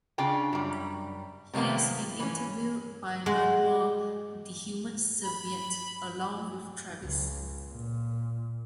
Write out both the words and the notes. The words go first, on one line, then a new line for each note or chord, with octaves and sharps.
He has been interviewed by Nardwuar the Human Serviette, along with Travis.
C#3 D4 F4 G5
F#2 G3
C3 D#3 F3 A#3 B3
E3 C#4
G#3 F#4
B5
C#2
A#2